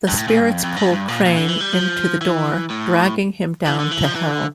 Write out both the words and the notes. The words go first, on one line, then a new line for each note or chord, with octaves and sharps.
The spirits pull Crain into the door, dragging him down to Hell.
G2
A2
A#2
G2
F2
F2
G2
F2
G2
A#2
A#2
D3
E3
G3
F3
E3
A2
E3
D3
E3
F3
E3
D3